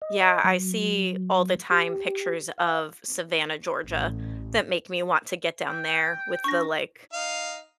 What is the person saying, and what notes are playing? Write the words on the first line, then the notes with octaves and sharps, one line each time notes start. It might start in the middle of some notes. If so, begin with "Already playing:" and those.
Yeah, I see all the time pictures of Savannah, Georgia that make me want to get down there with the, like
D#5
F#3
G4
F5
A1
G5
D4 C#6 A#6
D#4 F5